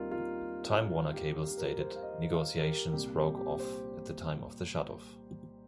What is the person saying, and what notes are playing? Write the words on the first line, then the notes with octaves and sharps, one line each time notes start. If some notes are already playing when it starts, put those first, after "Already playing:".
Time Warner Cable stated negotiations broke off at the time of the shutoff.
Already playing: D#2 D#3 G3 C4 F4 A#4
F4
G4
G4
G4
A#4
C5
F5
D#5
F5
A#4
G4
C2 A#2 G3 C4 G4
G4
G4
C5